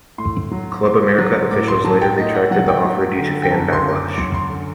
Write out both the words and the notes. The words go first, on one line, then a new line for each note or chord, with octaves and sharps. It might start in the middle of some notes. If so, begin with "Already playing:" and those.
Club America officials later retracted the offer due to fan backlash.
A2 C6
F#3
A2 C6
F#3
A2 D6
C6
F#3 A5
G5
A2 D#5
F#5
F#3 F#5
G5
F#3
D3
G5
F#2 A5
C6
F#2
D6
D6
F#3 C6
C6
D3